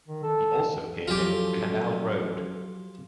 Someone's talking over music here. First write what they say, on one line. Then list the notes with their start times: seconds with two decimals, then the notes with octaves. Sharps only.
He also appeared in "Canal Road".
0.08 D#3
0.23 A4
1.08 F3 F#3 C#4 F4 G4 A4